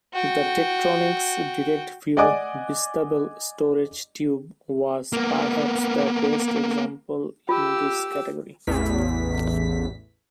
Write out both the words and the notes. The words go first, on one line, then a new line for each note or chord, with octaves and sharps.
The Tektronix Direct-View Bistable Storage Tube was perhaps the best example in this category.
F#4 G5
D5 D#5 F#5 G#5 D6
A#3 B3
F4 G4 E6
A1 E2 B6